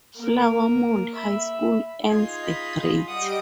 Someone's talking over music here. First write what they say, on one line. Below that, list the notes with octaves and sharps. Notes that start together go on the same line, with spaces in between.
Flower Mound High School earns a Great!
A#3 A#4
E5 B5
D#4 F4 G#4 G#5
D#5 B5
G3 D#5 F#5 D#6 D7